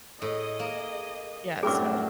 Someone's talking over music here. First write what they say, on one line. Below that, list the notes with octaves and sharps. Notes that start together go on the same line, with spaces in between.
Yeah. So
A2 G#4 D#5
A#3
F#2 A2 G3 C4 D4 G#4 D6